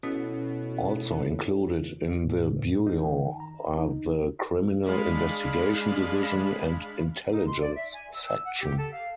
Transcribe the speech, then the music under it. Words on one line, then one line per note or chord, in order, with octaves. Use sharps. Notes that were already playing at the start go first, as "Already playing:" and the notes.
Also included in the bureau are the Criminal Investigation Division and Intelligence Section.
B2 C#4 E4 A4 C#5
A2
D#4
D#3
A#5
D#4
G#3 D4 F5 B5
D#4
C6
D5
E5
G#5
E6
E6
F#5
G4
A4
F5